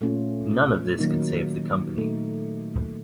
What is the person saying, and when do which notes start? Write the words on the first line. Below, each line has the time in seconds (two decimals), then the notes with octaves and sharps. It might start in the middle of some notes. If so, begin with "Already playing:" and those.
None of this could save the company.
0.01 A#2 A3 C#4 F4
0.99 D#3 F#3 A#3 D#4
1.97 A#2 A3 D#4